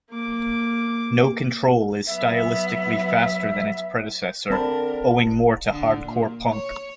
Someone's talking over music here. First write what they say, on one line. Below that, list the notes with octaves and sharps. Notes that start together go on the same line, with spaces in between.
"No Control" is stylistically faster than its predecessor, owing more to hardcore punk.
A#3 D6
F#3 B3 E5
D3 C4 A#4 D5 A5 B5
D3
A#2
C#5